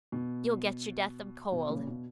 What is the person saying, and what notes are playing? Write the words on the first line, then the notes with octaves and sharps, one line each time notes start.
You'll get your death of cold.
B2
B2
A#2 C#3
B2